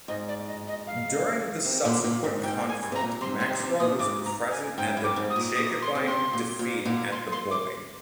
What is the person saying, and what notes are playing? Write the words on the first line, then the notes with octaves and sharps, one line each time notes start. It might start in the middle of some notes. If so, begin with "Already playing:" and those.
During the subsequent conflict Maxwell was present at the Jacobite defeat at the Boyne.
G#2 D#5
D5
D#5
D#5
F5
C3
A#2 D3
A#2
G#2
G#2 G5
G#2
G#5
G2
C3 A#5
A#2
C3 C6
C3 D#3 C6
C3
A#2 D#6
G#2 D6
A#5
G#5
G#2 G5
G2
D6
G#2
D#6
A#2
A#2 D#6
C6
C3
C6
A#2
A#2
A#2 D3
C6
C6
D6